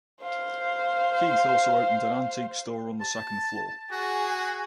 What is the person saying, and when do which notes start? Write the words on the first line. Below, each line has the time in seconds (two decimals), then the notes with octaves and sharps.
Keith also opened an antique store on the second floor.
0.21 C5 F5
3.01 A5
3.91 F#4 G#4